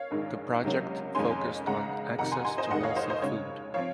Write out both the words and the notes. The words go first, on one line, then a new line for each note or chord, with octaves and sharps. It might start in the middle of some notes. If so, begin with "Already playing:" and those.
The project focused on access to healthy food.
Already playing: C#5 F5
A#1 G#2 D#3 G#3
C#2 C3 F#3 A#3 C#4
F2 D#3 G#3 C#4 G#5 C6
C#2 C#3 G#3 F#5 A#5
F2 C3 D#3 F#5 A#5
G#5 C6
G#5 C6
C5 D#5
F1 D#2 D#3 G#3 D#5 F#5
C#5 F5
C5 D#5
C5 D#5
D#2 C#3 G#3 C#5
F3 C4 C#5 F5